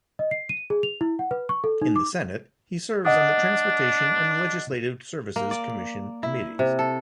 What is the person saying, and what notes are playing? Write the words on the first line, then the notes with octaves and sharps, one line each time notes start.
In the Senate, he serves on the Transportation and Legislative Services Commission committees.
D#5
C7
D#7
G#4
F7
E4
F#5
B4
C#6
A4
D#4
D6
D4 D#5 F#5 D#6
A#3
D5
E4
C3
A4